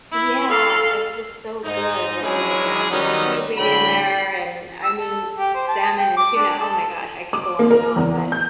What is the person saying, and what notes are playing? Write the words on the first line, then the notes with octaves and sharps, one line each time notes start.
Yeah, it's just so good with, like, uh, seaweed in there, and I mean, salmon, and tuna, oh my gosh, I could go on and on, but
E4
A4 F5
G#2 D#4
F#3 G#3 C#4 D4 E4 G#4
D#3 F#3 G3 B3 C#4 D#4
A2 D3 F#3 G5 B5
E6
A4
G4
C5
A5
G5
D6
D4
A4
D6
A#3
A#4
E2
G6